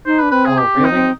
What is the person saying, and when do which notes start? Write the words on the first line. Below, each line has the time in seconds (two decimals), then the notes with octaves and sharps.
Oh, really?
0.06 D#4 C5
0.19 D4 B4
0.32 C4 B4
0.45 G#4
0.58 G4
0.75 C4
0.84 D#4
0.93 C4